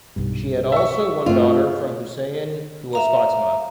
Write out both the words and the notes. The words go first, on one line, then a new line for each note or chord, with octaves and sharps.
She had Also one daughter from Husayn who was Fatimah.
B1 G2
E5 C#6
G2 A3 C4 F4
E5 F5 A#5